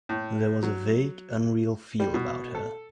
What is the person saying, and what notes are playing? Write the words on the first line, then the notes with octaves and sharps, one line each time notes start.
There was a vague, unreal feel about her.
A2
F#3
G3
B2
A4